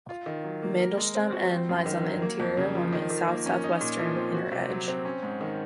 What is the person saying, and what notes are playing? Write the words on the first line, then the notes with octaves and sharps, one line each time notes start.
Mandel'shtam N lies on the interior along the south-southwestern inner edge.
F4
D#3
F#3
A#3
A#4
G#3
C4
F#4
C4
F#2
D#3
F#3
A#3
F2
C#3
F3
D#3
D#3
A#3
C#4
D#4
A#2
F3
C4
F#4
C3
F#3
C4
C#4
G#2
D#3